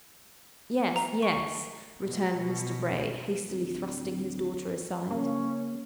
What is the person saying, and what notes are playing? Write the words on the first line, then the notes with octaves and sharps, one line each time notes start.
'Yes, yes,' returned Mr Bray, hastily thrusting his daughter aside.
A#5
C#6
B2
D1
C#3 A#3 C#4